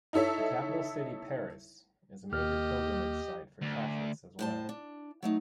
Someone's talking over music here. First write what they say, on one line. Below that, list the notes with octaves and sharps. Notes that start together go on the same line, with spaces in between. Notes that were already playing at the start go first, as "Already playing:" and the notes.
The capital city, Paris, is a major pilgrimage site for Catholics as well.
D#4 E4 A4 C#5 E5
D#2 A#3 G4 D#5 F6
D2
A2 C5 A5
D4
F#3 A3 D#4